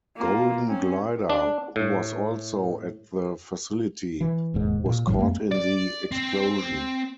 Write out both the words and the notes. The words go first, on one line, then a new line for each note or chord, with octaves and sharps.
Golden Glider, who was also at the facility, was caught in the explosion.
A#3 F4
C4 C#4
D4
A2
E3
E1 D#2 G#2
A#2
A1 G#2 E3 F#3
F2 A3 A#3
D5
C4